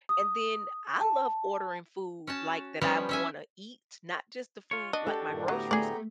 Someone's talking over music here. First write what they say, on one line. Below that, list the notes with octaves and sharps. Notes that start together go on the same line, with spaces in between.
and then I love ordering food like, that I wanna eat, not just the food, like my groceries.
D#6
A5
C#4 F#4 A5
F3 G3 B3 C#4 G4
C#4 E5 G#5
F4 C#5
D4 F#4 D#5
G4 A4
G2 A#2 D#3
D2 A2 F#3 B3 G4 A#5
A3 G#4 D5